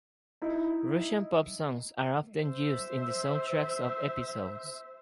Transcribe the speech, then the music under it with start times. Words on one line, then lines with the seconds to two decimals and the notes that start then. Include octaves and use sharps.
Russian pop songs are often used in the soundtracks of episodes.
0.42 D#4 E4
2.42 C5 E5